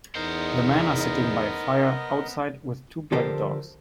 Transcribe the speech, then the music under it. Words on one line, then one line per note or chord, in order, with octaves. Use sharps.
The men are sitting by a fire outside with two black dogs.
E2 B3 D#4 A#4 C5 D#5
D3 F3 G4 A4 A#4 C5